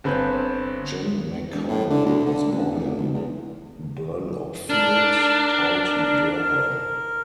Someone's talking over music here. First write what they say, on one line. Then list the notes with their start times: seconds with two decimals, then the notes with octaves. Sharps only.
Jim McConnon was born in Burnopfield, County Durham.
0.04 G1 C4 B4 C#5 G6
1.53 E1
1.68 A2
1.90 D3
2.05 D2
2.26 D3
2.52 A1
2.72 F1
2.97 B1
3.14 E2
4.70 D4 A#4